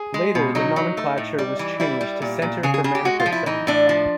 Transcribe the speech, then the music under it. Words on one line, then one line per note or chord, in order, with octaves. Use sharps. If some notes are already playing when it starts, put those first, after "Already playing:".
Later the nomenclature was changed to Center for Manipur Studies.
Already playing: G#4
G#3
B2
F#3 D#4
F#3
A3
A2
G3
E3
G3 E4
G3
A#2
A#2
C#3 G#4
G#4
C#3 G#4
G4
G#3 F#4
F4
F3
E4
E3 D#4
A2 D4
F3